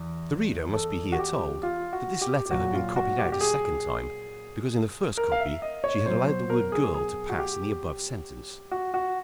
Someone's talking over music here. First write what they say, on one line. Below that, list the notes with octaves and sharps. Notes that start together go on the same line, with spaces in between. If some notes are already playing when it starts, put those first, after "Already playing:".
The reader must be here told that this letter had been copied out a second time because in the first copy she had allowed the word girl to pass in the above sentence.
Already playing: E2
A4
F#4
G4
F4
F#4
G4
G4
A#2 F#3 F#4
F4
F#4
G4
F#4
G4
G#4
A#4
F5
E5
D#5
C#5
B2 F#3 C5
C5
A#4
G#4
G#4
F#4
G4
F#4
F#4